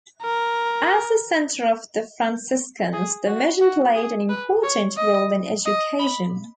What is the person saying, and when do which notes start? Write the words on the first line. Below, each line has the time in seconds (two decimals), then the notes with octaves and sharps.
As the center for the Franciscans, the Mission played an important role in education.
0.23 A#4
2.93 G#4
3.27 F#4
3.61 F#4
3.96 G#4
4.29 B4
4.64 C#5
4.97 D#5
5.66 D#5
6.00 B5